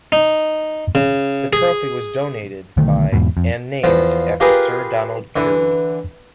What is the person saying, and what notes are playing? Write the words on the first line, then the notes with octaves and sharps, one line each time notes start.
The trophy was donated by and named after Sir Donald Currie.
D#4
C#3
G#4
B1 D3 D#3 A3
E2 G#2 B2
F2
E2 F3
F4 G4 G#4 A#4 B4
D3 E3